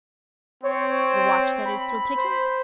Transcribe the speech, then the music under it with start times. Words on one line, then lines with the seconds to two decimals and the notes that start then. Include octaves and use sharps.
"The watch that is still ticking?"
0.64 C4 C#5
1.65 B5
2.17 C5